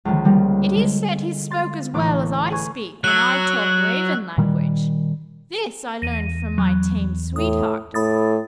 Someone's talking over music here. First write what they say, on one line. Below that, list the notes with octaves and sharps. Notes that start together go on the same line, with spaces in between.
It is said he spoke as well as I speak when I talk Raven language; this I learned from my tame sweetheart.
C#2 D3 D#3 F3
F3 G3 A#3 A#4
D3 G#3
C6 A6
A1 D6 F#6
B4 G#5 C#6 G#6
F#3 F#4 E6 F#6
A#2 D#3 G3
E2 A#6 D#7
F#3
A2 D#6
A2 B5 D#6 A6